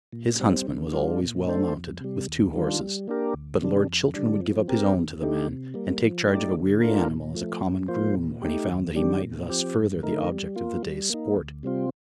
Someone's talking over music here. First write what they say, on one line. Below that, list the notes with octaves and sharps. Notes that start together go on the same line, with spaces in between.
His huntsman was always well mounted, with two horses; but Lord Chiltern would give up his own to the man and take charge of a weary animal as a common groom when he found that he might thus further the object of the day's sport.
A#2
G3 C4
D3
G3 D4 F4
A#2
A3 D4 A4 C5
F2
C3 G3
D#2
D#3 G3 D4 F4
G3
A#3 D4 G4 A#4
D2
C3 D#3 G3 D4
F2
D3 G3 D4
F3
C4 G4 A#4
D#2
D3 A3 D#4 G4
C3
G3 A#3
F3
A3 D#4 G4 D5
D3
A3 D4 F4 A#4
A#2
F3 A3
G2
F3 A#3 F4 C5
A#2
A3 D#4 G4
D#2
D#3 G3 D4 G4
A#2
F3 C4 G4
G2
D3 A3 D#4 A#4
G3
A#3 F4
G3
A#3 D#4
D2
C3 G3 C4 F4